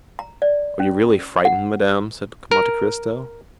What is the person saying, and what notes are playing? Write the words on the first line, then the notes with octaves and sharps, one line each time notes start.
"Are you really frightened, madame?" said Monte Cristo.
A#5
D5
C#4
F#5
A#4